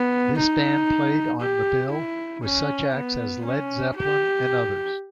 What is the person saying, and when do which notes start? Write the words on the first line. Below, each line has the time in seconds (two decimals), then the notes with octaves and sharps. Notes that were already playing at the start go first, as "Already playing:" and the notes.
This band played on the bill with such acts as Led Zeppelin and others.
Already playing: B3
0.38 D#4
1.41 G4
1.92 E4
2.44 C#4
2.94 B3
3.46 C#4
3.97 G4